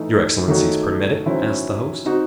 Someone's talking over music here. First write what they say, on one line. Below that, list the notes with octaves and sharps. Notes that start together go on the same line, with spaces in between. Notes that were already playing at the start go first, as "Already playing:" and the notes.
"Your excellencies permit it?" asked the host.
Already playing: E3 A3 D#4
D#3 A3 D#4 F#4 C#5
D#3 F#3 C#4 E4 C5
C4 D#4 F#4